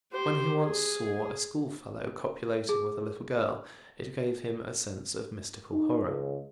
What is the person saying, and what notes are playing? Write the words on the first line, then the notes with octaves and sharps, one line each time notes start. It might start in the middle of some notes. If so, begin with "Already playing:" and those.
When he once saw a schoolfellow copulating with a little girl, it gave him a sense of mystical horror.
G4 C5
G#4
G#4
D#4
C#2